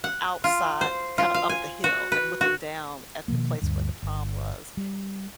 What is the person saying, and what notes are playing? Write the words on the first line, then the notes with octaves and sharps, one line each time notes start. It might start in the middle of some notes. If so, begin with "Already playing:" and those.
outside, kind of up the hill and looking down at the place where the prom was,
F#5
F4
C5
F4
F5
G#5
F#4
B4
F#4
B2 D#3 F3 A#3
D2 G2
G1
G3